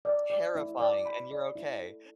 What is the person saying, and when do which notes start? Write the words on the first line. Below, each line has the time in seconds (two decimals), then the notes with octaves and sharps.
terrifying, and you're okay?
0.05 D5
0.30 D5
0.55 E4
0.80 D5
1.05 B5
1.31 D5
1.55 E4
1.81 A4